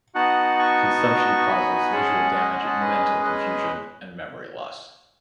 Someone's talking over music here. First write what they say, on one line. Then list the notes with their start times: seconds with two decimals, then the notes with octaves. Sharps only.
Consumption causes visual damage, mental confusion, and memory loss.
0.15 B3 D#4 F#4 F#5 A5
0.59 A5 C#6
1.48 G#5 B5
1.92 G#3 C#4 G#4 F#5 A5
2.36 D#5 F#5
2.51 D#5 F#5
2.66 F#5 A5
2.81 B4 D#5
3.25 B4 D#5